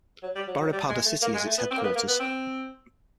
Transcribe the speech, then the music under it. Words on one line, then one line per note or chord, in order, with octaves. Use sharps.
Baripada city is its headquarters.
F#3
G3
F#3
F#3
G3
G#3
A3
A#3
G#3
A3
B3
C4
A#3
B3
A#3
B3
C4